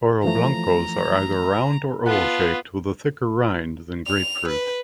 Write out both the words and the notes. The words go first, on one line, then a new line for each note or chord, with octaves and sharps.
Oroblancos are either round- or oval-shaped with a thicker rind than grapefruit.
E3 F3 A3 A#5
B3 F4 B4 F#5 A5
F7
B4